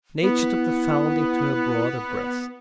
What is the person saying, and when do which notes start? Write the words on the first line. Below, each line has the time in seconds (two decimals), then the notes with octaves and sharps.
Nature took the foundling to her broader breast.
0.23 B3 E4